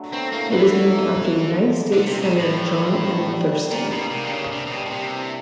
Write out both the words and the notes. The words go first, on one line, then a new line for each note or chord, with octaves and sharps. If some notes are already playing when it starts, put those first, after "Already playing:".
It was named after the United States Senator John M. Thurston.
Already playing: D3 F#3 A3
B3 C4
A2 A#3
E3 B3
F#3
D#4
B3
C#3
F3
G#3
D3 G#3
C3
C#3
B2
F3
A2
G3
D#3
D#3
B3
G3
G3
A#2 A#3
B2 A#3
C3 A#3
D3
C#3 D4
C3 D4
C3
B2 G3
B2
C3 C4
E3